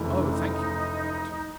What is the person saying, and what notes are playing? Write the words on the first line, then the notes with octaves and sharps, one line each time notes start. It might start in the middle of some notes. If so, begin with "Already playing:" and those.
"Oh, thank you!" he returns.
Already playing: F1 F2 C#3 E3 A3
D4
D#4
D#4